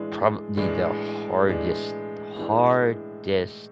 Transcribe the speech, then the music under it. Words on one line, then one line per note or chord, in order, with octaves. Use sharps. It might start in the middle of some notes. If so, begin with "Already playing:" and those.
probably the hardest, hardest
Already playing: A2 E3 G#3 D4
A2 E3 G#3 D4
A2 E3 G#3 D4
A2 E3 G#3 D4